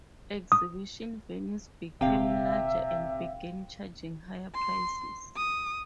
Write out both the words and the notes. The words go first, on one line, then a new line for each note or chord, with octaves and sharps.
Exhibition venues became larger and began charging higher prices.
D#6
D#1 C3 E5 F5 G5
C6
D#6